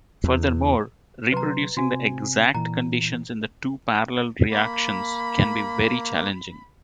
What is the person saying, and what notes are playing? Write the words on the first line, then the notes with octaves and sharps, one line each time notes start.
Furthermore, reproducing the exact conditions in the two parallel reactions can be very challenging.
E2
C3 F#3 B4 A#5 C6
C3 C4 F#4 G#5
A#2 E3 A#5
A#3 B5